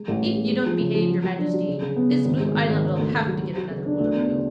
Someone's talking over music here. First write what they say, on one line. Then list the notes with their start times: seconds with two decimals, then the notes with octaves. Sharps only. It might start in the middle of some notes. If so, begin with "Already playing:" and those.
"If you don't behave, your Majesty, this Blue Island'll have to get another Boolooroo."
Already playing: G#3
0.08 A1
0.23 A1
0.36 G#3
0.51 G#3
0.66 F3
0.80 C#3
0.94 F3
1.10 F#3
1.23 F#3
1.39 D4
1.53 F#3
1.68 C#3
1.82 C#3
1.96 B3
2.11 C#3
2.25 G#1
2.40 G#3
2.54 G#1
2.70 G#1
2.84 C#3
2.99 D2
3.12 D2
3.28 F#3
3.42 F#4
3.56 F#4
3.70 C#3
3.86 D4
4.00 D2
4.14 B3
4.29 C#3